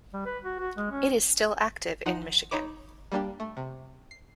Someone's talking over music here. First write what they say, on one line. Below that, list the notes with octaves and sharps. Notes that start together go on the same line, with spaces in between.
It is still active in Michigan.
G3
B4
F#4
F#4
G#3
C#4
F3 D#4 F#5
D#4 C#5 B5 D6
G3 A#3 D4 G4
A3
C3
C7